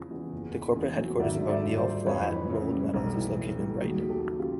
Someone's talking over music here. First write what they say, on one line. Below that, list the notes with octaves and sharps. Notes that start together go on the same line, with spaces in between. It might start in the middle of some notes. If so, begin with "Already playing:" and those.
The corporate headquarters of O'Neal Flat Rolled Metals is located in Brighton.
Already playing: E2 C#3 F3
E2
F#1
C#3
E2
F#3
G#1 D5 E5
D3
D5 E5
G2
C5 D5
F3
F2 B4 C#5
E3
C#3
G3
B1
E3
A2
G3
D#2 F#4 G#4
F#3
G4 A4
C#3
F4 G4